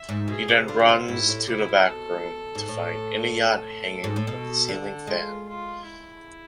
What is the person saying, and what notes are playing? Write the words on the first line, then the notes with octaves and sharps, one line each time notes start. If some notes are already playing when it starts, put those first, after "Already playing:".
He then runs to the backroom to find Inayat hanging from the ceiling fan.
Already playing: E5
G#2
B2 G#4
C3
D3 F4
B2
C3
G#2 E4
A2
C3 E4
B2
A4
G#2
A2
A4
G#2
A2
B2
D3
G#3 F4
F4
E4